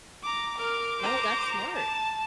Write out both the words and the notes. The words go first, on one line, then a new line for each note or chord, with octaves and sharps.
No, that's smart.
A#5 D6
A#4 D6 F6
C5 A#5
A5